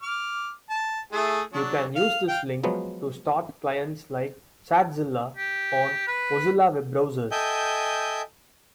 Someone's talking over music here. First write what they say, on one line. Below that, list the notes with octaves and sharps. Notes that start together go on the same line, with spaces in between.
You can use this link to start clients like ChatZilla on Mozilla web browsers.
D6 F6
A5
A3 E4 G#4
F#3 D4
F5
F5 G5
F3 F#3 G#3 B3
G4
B4
A4 D#5 E5 G5 G#5 G6